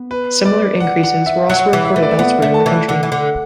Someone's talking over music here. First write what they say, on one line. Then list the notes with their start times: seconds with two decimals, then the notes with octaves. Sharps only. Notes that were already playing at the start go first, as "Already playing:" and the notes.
Similar increases were also reported elsewhere in the country.
Already playing: B3
0.11 B4
0.45 D5
0.80 F#5
1.03 F#5
1.26 E5
1.50 F#3 F#5
1.73 E3
1.85 E5
1.94 A3 B4
2.03 D5
2.11 E5
2.19 B3 F#5
2.42 A3 F#5
2.54 A5
2.66 E3
2.88 D3 F#5
3.03 E3
3.12 D3 F#5